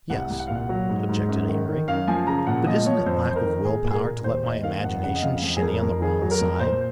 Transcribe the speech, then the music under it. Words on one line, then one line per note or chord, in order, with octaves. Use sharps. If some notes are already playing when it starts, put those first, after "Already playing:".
"Yes," objected Amory, "but isn't it lack of will-power to let my imagination shinny on the wrong side?"
C2 F#5
C2
F#5
A#2 F5
F#5
F#3
G#2
G#2
F#2
D#3
D#3
F#2 F5
F3 G#5
C#3 A#5
A#2 F#5
F3 D#5
F3 C#5
F2 C5
F2 C5
A#4
D#3
A#2 G#4
A#2
G#4
A#4
A#2
D#2 C5
D#2 D#5
D#3 F5
F2 F#5
C#3 F#5
D#5
F2 F5
F2
G#4
F2 A#4
F2 A#4
D#3 G#4
F#3
A#4
F2
A#2 C5